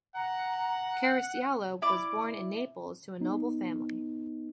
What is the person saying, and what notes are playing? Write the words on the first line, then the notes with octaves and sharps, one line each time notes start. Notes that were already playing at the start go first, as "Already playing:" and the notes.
Caracciolo was born in Naples to a noble family.
F#5 A#5
E4 D5 D6
B3 D#4